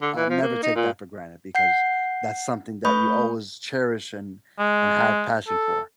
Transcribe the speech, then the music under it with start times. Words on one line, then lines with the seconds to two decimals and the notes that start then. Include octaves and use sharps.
uh, never take that for granted, because that's something that you always cherish, and and have passion for.
0.02 D3
0.16 E3
0.30 F3
0.42 A#3
0.63 D#4
0.76 A#2
1.55 F#5 G6 C7
2.85 A3 B4 B5 C#6 D#6 G6
4.59 G#3
5.48 A4